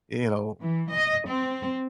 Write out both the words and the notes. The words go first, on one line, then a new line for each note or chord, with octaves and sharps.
you know,
E3
D#5
C4